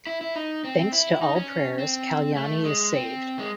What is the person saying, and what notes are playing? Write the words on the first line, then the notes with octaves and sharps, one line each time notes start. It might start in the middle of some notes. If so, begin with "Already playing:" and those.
Thanks to all prayers Kalyani is saved.
E4
E4
D#4
C4
E4
D#4
C#4
C4
A3
G#3
C4
G#3